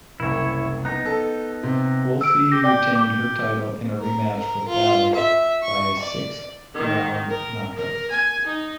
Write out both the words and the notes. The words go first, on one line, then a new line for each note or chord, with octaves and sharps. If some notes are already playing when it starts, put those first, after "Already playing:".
Wolfe retained her title in a rematch with Valley, by a sixth round knockout.
F#1 C2 E4 C#5
B3 D#4 A#5
A4
C3
E6 D7
G4 A#6
G4 D5 G5 G6
G4 D6
A#4
A#4
F4
E5
C#6
D5
D#3
A#4
A#4
G#5
D#4